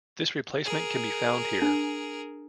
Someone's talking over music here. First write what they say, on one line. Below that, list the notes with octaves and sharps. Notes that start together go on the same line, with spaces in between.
This replacement can be found here.
G#4 A#4
D4